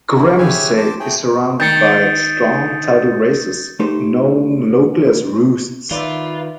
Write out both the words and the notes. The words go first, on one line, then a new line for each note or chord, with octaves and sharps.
Graemsay is surrounded by strong tidal races, known locally as "roosts".
E4 F#4
G4 G#4 B4 C#5 E5 G#5
C5 A5 D6
A3 G#4 G5
D#3 G6 A6 C#7
A3 D#4 G4 B4 C5
D#3 F4 B4 D5 E5